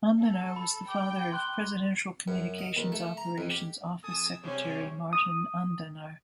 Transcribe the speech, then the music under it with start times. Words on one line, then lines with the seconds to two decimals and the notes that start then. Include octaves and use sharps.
Andanar was the father of Presidential Communications Operations Office Secretary Martin Andanar.
0.19 A4
0.56 B5
0.89 G5 D6
1.32 C6 F#6 G7
2.28 F#2
2.58 D#5
2.77 D#2
2.92 A3
3.17 A#5
3.38 F2
3.50 G4
4.04 F2 A4 G#5 D#6 E6
4.43 C3 G3 C#4 G#4 C5 C#5 E5
5.13 D#6